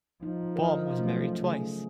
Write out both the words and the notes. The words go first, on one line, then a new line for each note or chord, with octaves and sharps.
Baum was married twice.
F3 D#4
A#4 D#5
F#3 A3 C#4
C#3 A3 G#4